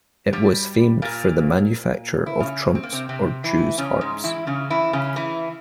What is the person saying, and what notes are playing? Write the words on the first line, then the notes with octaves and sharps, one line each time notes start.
It was famed for the manufacture of trumps or Jew's harps.
G2 G3
A#2 A#3
E4
C#3 C#4
C4
A#3
C3 C4
C3 C4
E3 E4
C#3 C#4
G#2 G#3
E3 E4
C#3 C#4
E3 E4
C#3 C#4
E3 E4